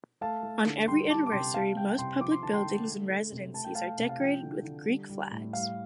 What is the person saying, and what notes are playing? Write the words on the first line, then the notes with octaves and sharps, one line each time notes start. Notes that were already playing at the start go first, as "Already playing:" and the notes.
On every anniversary, most public buildings and residences are decorated with Greek flags.
A3 F5 A5
A3
D3
G3 G5 C6
G3 A5 D6
D6
C3 G5 C6
G3 F5 A5
G3 G5
C3 G5 C6
F3 D6
C6
D3 A5
G5 C6
D3
A3
A3
C3
A3 A5
G5
A3 F5 A5
C3
F5
F3 G5
D3
D3
G3
G3
A2
G3 F5